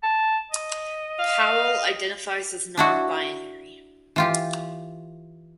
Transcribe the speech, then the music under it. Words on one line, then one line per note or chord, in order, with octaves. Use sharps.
Powell identifies as Nonbinary.
A5
D#5
F5
D4 E4 F#4
E3 F4 G4